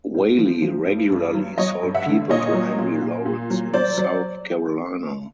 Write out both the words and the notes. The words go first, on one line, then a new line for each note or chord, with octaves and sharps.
Whaley regularly sold people to Henry Laurens in South Carolina.
A2
F3
F3
G2
G2
F#3
F#3 C#5 D#5
G2
E5 F#5
D3
A#2 C#5 D#5
F#3
A#2
A#2
A#2
F#3
F#3 C5 D5
F#3